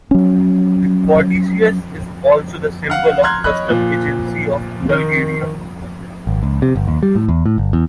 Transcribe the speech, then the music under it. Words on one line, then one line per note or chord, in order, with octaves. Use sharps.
The caduceus is also the symbol of the Customs Agency of Bulgaria.
F#3 C#4
F5 F#5 F6
A#5 C6 F6 F#6 G#6
C#5 D#5 B5 F#6
A#2 F3
D#3 A#4
G#1
C#2
C3
G1
D#2
G3
A2
E2
A2
G1
E2